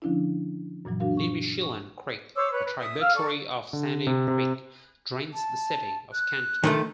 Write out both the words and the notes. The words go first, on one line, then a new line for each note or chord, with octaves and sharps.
Nimishillen Creek, a tributary of Sandy Creek, drains the city of Canton.
D3 F3 C#4 D4 E4
F#2 A#2 E3 F#3
F#3 D4 F#4 A#4 F5
C#6
C#6
C5 C#5 D6 E6
B4 C#5
B4
E5 D#6
F5 E6 F6
A4 D5 C#6
D3
C3
C3
A5
F#6
D#3 F3 A3